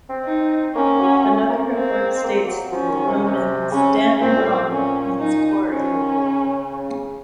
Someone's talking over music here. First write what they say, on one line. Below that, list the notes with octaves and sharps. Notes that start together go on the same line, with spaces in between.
Another report states that the Roman 'Stan Brom' means quarry.
C4
D#4
A#3 C#4
F#3
A3
A#3
C4
A#3
F#3
F3 C#4
D#3
C3
C#3
C3
C#3 C#4
A#2 C4
A2
A#2
A#2 C#4
D#4
F3 C#4
D#3
C#3